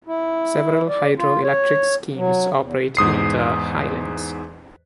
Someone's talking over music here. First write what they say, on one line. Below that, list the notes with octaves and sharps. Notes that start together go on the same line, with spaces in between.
Several hydro-electric schemes operate in the Highlands.
E4
D5
F4
C#5
F#3
E2
E2 G#2 D#6 C7